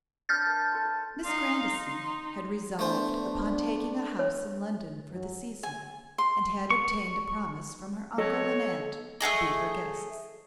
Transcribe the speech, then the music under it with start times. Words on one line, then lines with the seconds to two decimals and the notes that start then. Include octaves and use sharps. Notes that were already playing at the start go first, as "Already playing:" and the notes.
MISS GRANDISON had resolved upon taking a house in London for the season, and had obtained a promise from her uncle and aunt to be her guests.
0.29 D4 B4 C#5 F6 G6 A6
0.46 A#4
0.72 A4 C6
0.85 B4
1.25 D#4 F5 C6
1.69 D#4
2.79 A3 B3 D4 C5
4.19 C#5
5.11 F#2 F#3
5.63 G#5
6.18 C6
6.70 C#6
8.18 A4 C#5 D#5
9.21 A3 B3 G#4 D#5